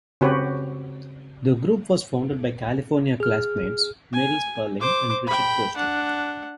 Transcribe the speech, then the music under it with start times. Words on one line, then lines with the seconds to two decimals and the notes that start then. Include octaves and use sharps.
The group was founded by California classmates Mary Sperling and Richard Gosting.
0.21 C#3 C4 F#4 G4 B4 C#5
3.20 G#4 F6
4.13 G#5
4.80 C5 D6
5.27 G5 B5
5.77 D4 F#5